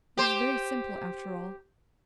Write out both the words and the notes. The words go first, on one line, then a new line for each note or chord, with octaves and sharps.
It is very simple, after all.
G4 C5